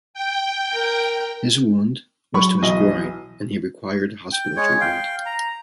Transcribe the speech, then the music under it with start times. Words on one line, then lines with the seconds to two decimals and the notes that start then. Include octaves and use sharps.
His wound was to his groin and he required hospital treatment.
0.14 G5
0.74 A#4
2.34 F#3 B5 C#6
2.62 B1 E3 D#5
4.32 G5
4.57 G#3 C#5
4.81 F5 G5
5.26 A#5